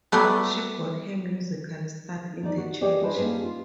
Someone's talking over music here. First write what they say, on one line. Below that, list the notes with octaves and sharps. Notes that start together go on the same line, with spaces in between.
She got her musical start in the church.
F#3 G3 A3 B3
D#4 D5
F#4
G4 G#4 D5 D#5 G5
D4 F4 G#4 B4 C5 D#5
A#3 C#4 D4 G4 G#4
F4